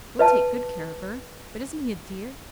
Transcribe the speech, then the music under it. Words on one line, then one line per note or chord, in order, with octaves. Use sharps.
We'll take good care of her. But isn't he a dear?
B4 E5 A5